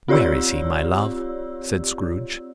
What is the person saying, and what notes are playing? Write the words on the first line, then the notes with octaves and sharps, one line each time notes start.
"Where is he, my love?" said Scrooge.
C4 F4 G4 C#5 D5 E6